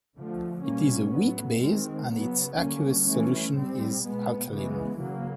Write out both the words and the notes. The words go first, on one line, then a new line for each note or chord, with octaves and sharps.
It is a weak base and its aqueous solution is alkaline.
D3 F3 A3
B2 G3 A#3 C#4
A2 F#3 B3
D#3 G#3 C4
C#3 F#3 B3
D3 G3 A#3 C#4
E3 A3 C#4
A#2 G3 C4
B2 G#3 B3
C#3 E3 G#3 B3
C#3 F#3 A#3